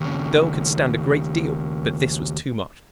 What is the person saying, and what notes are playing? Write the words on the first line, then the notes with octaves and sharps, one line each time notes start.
The girl could stand a great deal, but this was too much.
D#2 C#3